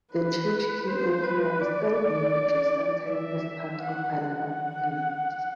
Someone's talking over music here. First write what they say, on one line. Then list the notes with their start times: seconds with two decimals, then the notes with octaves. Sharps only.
The church key opener is still being produced, sometimes as part of another opener.
0.14 B4
0.87 C5
1.24 B4
1.60 D5
3.08 E5
3.82 F#5
4.17 F#5